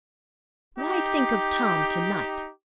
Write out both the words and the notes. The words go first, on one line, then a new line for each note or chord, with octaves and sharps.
Why think of Tom to-night?
D#4 G4